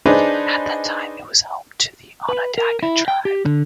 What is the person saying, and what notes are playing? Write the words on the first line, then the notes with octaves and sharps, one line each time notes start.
At that time it was home to the Onondaga tribe.
D4 D#4 G#4 B4 C5 D5
B4
A#4
E4
G5
G4
D3